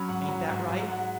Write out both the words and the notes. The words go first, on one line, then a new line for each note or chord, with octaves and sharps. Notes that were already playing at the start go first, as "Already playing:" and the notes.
Ain't that right?
Already playing: F#3 C#4 B5
G#2 F#5
F#3
G#2
G#2
G#3 F#5